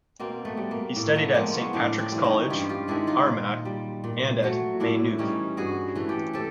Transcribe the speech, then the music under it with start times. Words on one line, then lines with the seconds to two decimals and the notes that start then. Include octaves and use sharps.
He studied at Saint Patrick's College, Armagh and at Maynooth.
0.19 B2 A#3 C4
0.45 A3 B3
0.57 G3
0.71 A#3
0.96 A2 A#3
1.16 A3 B3
1.34 F3 G#3 A#3 C4
1.53 B3 C#4
1.73 A2 C4 D4
1.98 C4 D4
2.12 E3 G3
2.24 C#4 D#4
2.50 G2 F4 G4
2.69 F4 G4
2.88 D#3 G#3 D4 E4
3.07 D#4 F4
3.26 A#2
3.65 G3
4.04 A#2
4.43 F#3 A3
4.80 A2 D4 E4
5.18 E3 G3 C#4 D#4
5.57 G2 F#4 G#4
5.96 E3 A3
6.09 G4 A4
6.33 C3 G4 A4